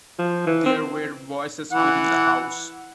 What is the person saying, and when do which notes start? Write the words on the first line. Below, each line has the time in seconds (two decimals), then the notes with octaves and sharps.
There were voices within the house.
0.19 F3
0.47 E3
0.66 C4
1.72 E3 F#5